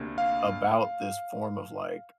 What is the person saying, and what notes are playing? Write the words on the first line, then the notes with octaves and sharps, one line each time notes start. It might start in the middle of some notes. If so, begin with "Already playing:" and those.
about this form of, like
Already playing: D2 C3 A#3 D4
F5